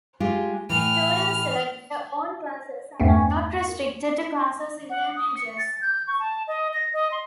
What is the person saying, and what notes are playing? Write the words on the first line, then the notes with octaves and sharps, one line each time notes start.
Students select their own classes and are not restricted to classes in their majors.
G#3 F4 G4
A2 E3 F6
E2 G2 A3 B3 C4
F#5
D#6
C#7
A6
G6
C#6
A5
D#5
A#6
D#5
C6